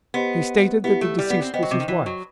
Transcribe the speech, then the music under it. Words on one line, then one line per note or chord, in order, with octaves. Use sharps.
He stated that the deceased was his wife.
B3 G4 C5 D#5 F#5 C6
B3 E4 G4 B4 E5
A3
G3
B3
C4
B3 C5 D#5 G5
F#3
C3
D#3
E3
F#3